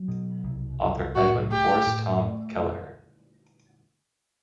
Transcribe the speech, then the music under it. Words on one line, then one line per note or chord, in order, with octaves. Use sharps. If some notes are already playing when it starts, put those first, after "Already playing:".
Author Edwin Forrest-Tom Kelleher.
Already playing: F#3
B2
C2
C2
A2 F#4
A3 G4
A2
A3